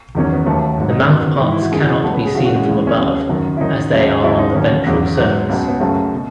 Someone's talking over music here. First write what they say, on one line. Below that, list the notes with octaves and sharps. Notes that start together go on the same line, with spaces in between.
The mouthparts cannot be seen from above as they are on the ventral surface.
E2 D#3 F#3 C#4
B3
D#2 D#3 F#3 A3
G#2 F#3
D#4
C#4
F#2 D#3 F#3 B3
B3
B3
G#2 E3 D#4
E4
F#4
F#2 E3 G#4
F#4
G#4
C#2 B2 F#3 A4
B4
G#4
F#2 C#3 E3 F#4
F#4
G#3
C#2 C#3 E3 G#3
C#4
D#2 C#3 F#3 B3
F#2 D#3 F#3
E4
F#2 D#3 F#3 D#4
D#2 C#3 F#3
D#2 C#3 F#3 E4
D#4
D#2 D#3 F#3 C#4
E2 C#3 F#3
G#2 F#3 B3
C#2 B2 F#3
B3
F#2 C#3 F#3 A3
B2